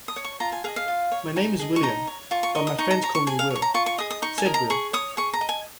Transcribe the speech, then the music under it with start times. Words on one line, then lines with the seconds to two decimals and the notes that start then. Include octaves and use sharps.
"My name is William, but my friends call me Will," said Will.
0.08 D#6
0.16 C#5
0.25 C#6
0.40 F4 A#5
0.52 G#5
0.64 G#4 F5
0.68 D#5
0.76 F5
0.88 F4
1.12 C#5
1.36 D#4 G#5
1.59 G#4 D#5
1.76 C#6
1.83 D#4 A#5
2.07 C#5
2.31 F4 C#6
2.43 C#6
2.55 D#5 C#6
2.59 A#4
2.67 D#6
2.78 D#4 C#6
2.91 A#5
3.02 C#5 A#5
3.15 C#6
3.27 G#4 G#5
3.39 F5
3.50 C#5
3.56 C#6
3.62 A#5
3.74 F4 C#6
3.86 C#6
3.98 G#4 D#5 D#6
4.11 D#6
4.22 D#4 C#6
4.38 G#5
4.46 A#4 D#5
4.54 A#5
4.70 G#4 C#6
4.93 C#5 D#6
5.17 G#4 C#6
5.33 A#5
5.41 D#5
5.49 G#5